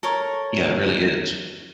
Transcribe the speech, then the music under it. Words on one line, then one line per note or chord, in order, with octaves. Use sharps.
Yeah, it really is.
A4 A#4 C#5